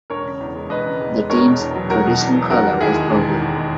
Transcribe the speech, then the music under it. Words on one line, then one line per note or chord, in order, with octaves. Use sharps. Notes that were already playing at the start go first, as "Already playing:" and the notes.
The team's traditional color was purple.
E1 A#4 C#5
C#3
E2
G#3
E1 B4 D#5
C#3
E2
G#3
E1 A#4 C#5
B2
E2
F#3
E1 F#4 A#4
B2
E2
F#3
E1 F#4 A#4
D#3
D#2 E4 G#4
G#3
E1
D#3
D#2
G#3